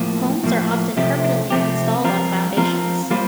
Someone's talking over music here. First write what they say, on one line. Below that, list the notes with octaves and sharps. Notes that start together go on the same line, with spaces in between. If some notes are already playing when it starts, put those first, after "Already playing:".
Homes are often permanently installed on foundations.
Already playing: A2 F3 A#3
A2 F3 A#3
C3 F3 A3 C4 G4
C3 F3 A3 C4 G4
F3 C4 F4 A#4
F3 C4 F4 A#4
G3 A#3 F4 C5